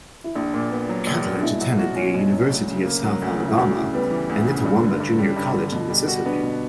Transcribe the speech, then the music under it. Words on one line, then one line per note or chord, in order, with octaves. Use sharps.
Catledge attended the University of South Alabama and Itawamba Junior College in Mississippi.
E4
A#1 D4
A#2
B3
F#3
A#1
A#2
D4
B2 E4
F#3
F#4
C#4
B2
F#3
D2
C#3
A#3
F#3
D2
C#3
E4
D2 F#4
C#3 E4
G3 B3
E3
D2
C#3
G2
D3
G2
G3 C#4
G2
D3
B2
G3
F#4
B3 D4
B2